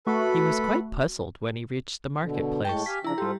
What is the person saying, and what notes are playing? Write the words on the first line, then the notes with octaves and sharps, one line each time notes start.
He was quite puzzled when he reached the market-place.
A3 F#4 A4 B4 B5
B2 D3
A2 G#3 G5 A5 C#6
G4 F5 G#5 B6
C#3 F3 D4 E4 A#5
G#2 G3 F4 G4 A4